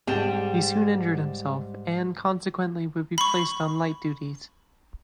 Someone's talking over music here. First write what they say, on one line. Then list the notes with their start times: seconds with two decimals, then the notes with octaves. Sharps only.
He soon injured himself and consequently would be placed on light duties.
0.07 G#2 G3 G5 E7
3.18 B5 C#6